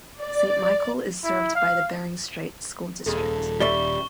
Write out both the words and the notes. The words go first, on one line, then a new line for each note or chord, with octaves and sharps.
Saint Michael is served by the Bering Strait School District.
D5
E4
F5
D#1 F2 G#4 A4
G3 D5 E5 C#6 G7